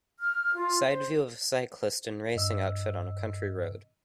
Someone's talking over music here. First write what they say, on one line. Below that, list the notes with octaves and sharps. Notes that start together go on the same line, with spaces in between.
Side view of a cyclist in racing outfit on a country road.
F6
F4
C5
G2 D#5 E6